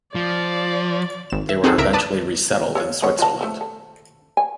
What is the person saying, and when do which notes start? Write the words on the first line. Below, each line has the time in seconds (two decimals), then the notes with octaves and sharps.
They were eventually resettled in Switzerland.
0.15 F3 D5
1.30 G#1 E7
1.49 E5
1.64 C4 D#4 F#4 G#4 A4
1.78 C#2 A2 A#4 E5 A#5 D7
1.93 B4 D5 A5 D#6
2.75 A4 C#5 F5
3.02 G#3 B3 C#5
3.19 F4 D#5 A5
3.41 F3 A3
3.61 A4
4.37 G#5